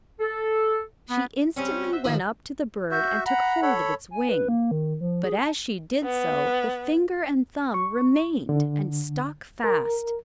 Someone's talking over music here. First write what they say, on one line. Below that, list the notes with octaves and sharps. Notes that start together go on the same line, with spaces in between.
She instantly went up to the bird and took hold of its wing, but as she did so, the finger and thumb remained and stuck fast.
A4
B3
G3 C4 C#4
F#4 C5 E5
A2 C3 D#3 F3 E4
F#4 E5 G6
F#5 A#5 B5
A4 C#5 B5
G#5
B4
A#3
D#3
F3
G#4
A5
B3
C#6
D3
A#4